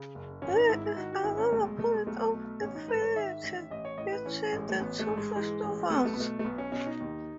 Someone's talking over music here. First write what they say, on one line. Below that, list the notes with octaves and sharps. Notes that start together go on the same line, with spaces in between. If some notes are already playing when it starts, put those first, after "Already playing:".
There is another point of affinity between the two festivals.
Already playing: C#3
F#1
G#1 C#4
D#4
G#2 E4
E4
D#3 F#4
F#4
G#1 E4
C#4
B1 A3
G#3
B2 A3
G#3
B1 A3
B2
A1 C#4
D#4
G#2 B4
C#5
D#3 E5
A1
A1 D#5
C#5
A2 D#5
B4
E3 C#4
A1 G#3
A3
A1 B3
A3
G#2
G#3
E3 G#3
A1
B1 A3
B3
A3
B3
B2 A3
A3
B1 B3
C#4
B2 C#4
D#4
D#2